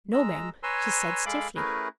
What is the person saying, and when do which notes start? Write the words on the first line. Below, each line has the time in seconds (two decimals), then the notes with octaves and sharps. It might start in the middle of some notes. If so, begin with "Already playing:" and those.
"No, ma'm," she said stiffly.
0.13 G#3 A#5 E6
0.63 B4 C#5 G#5 A#5 C6 E6
1.26 G#3 G#4 A4 F5 B5 D6
1.56 A3 C#4 E4 G#4 A#4 B4